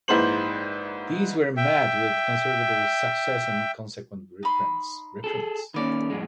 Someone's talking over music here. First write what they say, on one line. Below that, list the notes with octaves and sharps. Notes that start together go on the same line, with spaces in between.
These were met with considerable success and consequent reprints.
A#1 G#2 E4 B4 C5 F#7
E5 G5
D#4 B5 C6
G#4 A4
D#3 A#3 B3 C#4 D5
F2 A2 G#3